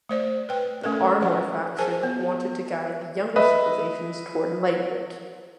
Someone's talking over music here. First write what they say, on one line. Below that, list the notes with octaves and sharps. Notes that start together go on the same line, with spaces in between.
The Arnor faction wanted to guide the younger civilizations toward enlightenment.
A3 C5 D5
B4 G5
A3 C#4 A4 A#4
F3 F#5
G#4 A#4 C5 G#5 A5
B3
B4 D#5 E5